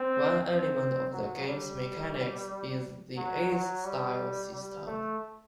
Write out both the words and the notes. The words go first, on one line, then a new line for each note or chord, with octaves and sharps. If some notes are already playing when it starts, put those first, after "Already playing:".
One element of the game's mechanics is the Ace Style system.
Already playing: C4
C4
F#3
G3
F#3
F#3
G3
G3
A3